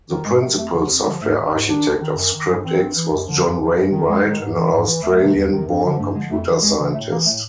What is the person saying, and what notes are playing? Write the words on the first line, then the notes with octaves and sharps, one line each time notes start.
The principal software architect of ScriptX was John Wainwright, an Australian-born computer scientist.
D#3
G#2 G#3
D#3 A3
F2 A3
D3 F3
F2
D3 F3 G#3
G#2 A3
D#3
G#2 D#4
D#3 D4
F#2
D#3
F#2
D#3
G2 C#4
E3 C4
G2
E3
F#2
D3 F3
F#2 B3
D3 F3
F#2
D#3
F#2 G#3
D#3
G#2
E3
G#2
E3
E2 A3
C3 D#3
E2
C3 D#3
G2
D3 F3
G2 A3
D3 F3 G#3
F2 A3
C#3 E3
F2 G#3
C#3 E3
A2 A3
E3 A#3
A2 A3